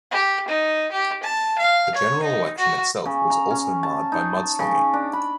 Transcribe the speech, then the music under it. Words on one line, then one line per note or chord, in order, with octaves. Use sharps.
The general election itself was also marred by mudslinging.
G4
D#4
G4
A5
F5
C#5
D#4
F#4
C#3
A#5
C#4
A5
D#4
A5
C#3
D4
B5